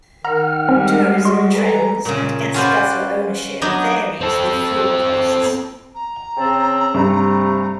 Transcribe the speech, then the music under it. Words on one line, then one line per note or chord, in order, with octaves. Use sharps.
Tourism trends and gas-guzzler ownership varies with fuel costs.
D#3 F#5 A#5 F6
G3 G#3 C4
F#4 G#4 D#5 C6
A4 B4 G#5 A#5
A#2 C#3
C#4 F4 F#4 B4 C5 D5
F#3 B3 D4 D#4
C4 A4
A#5
C#3 C4 A5
G2 C3 A3